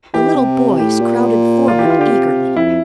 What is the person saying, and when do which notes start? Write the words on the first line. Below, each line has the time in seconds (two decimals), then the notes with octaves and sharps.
The little boys crowded forward eagerly.
0.14 E3 G4
0.35 C3 G4
0.79 A2 G4
1.01 A#2
1.68 F4
1.79 G4
1.86 E3 F4
1.99 D3 G4
2.12 C3
2.56 F2 E4